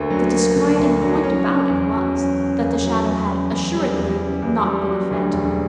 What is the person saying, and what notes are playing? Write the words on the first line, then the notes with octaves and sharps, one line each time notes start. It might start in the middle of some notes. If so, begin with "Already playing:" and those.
The disquieting point about it was, that the shadow had assuredly not been a phantom.
Already playing: D2 D3 A#3
F#3
A#3
D3
D2
F#3
C#4
C#3
E2
F#3
C#4
C#3
E2
F#3
E2
C#3
E2
G3
E2
C#3
E2
G3
F#3
D2
E1